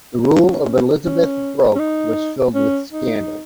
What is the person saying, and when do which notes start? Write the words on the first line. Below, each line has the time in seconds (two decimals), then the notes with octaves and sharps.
The rule of Elizabeth Broke was filled with scandal.
0.30 C#4
1.05 C#4
1.75 C#4
1.79 D#4
2.54 C#4
2.92 D#4